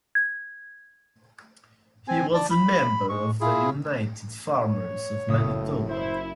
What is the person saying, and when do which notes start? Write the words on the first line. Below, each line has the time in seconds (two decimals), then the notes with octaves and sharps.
He was a member of the United Farmers of Manitoba.
0.15 G#6
2.08 C4 G#5
2.34 D5 A5
2.51 B5
3.09 G#3 C#6
3.41 E4 F4 G#4
4.57 C#5
5.28 F#1 A2 D#6 E6
5.89 E4 C5